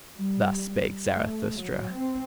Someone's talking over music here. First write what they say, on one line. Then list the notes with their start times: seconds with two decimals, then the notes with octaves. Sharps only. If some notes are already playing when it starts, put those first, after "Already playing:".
Thus spake Zarathustra.
0.15 G3
1.12 A3
1.59 F#3
1.95 C4